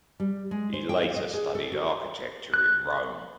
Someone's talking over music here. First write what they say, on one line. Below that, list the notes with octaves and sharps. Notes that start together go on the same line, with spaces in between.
He later studied architecture in Rome.
G3
G#3
C5
G5
F5
D#5
G#4
A4
F#4
F#6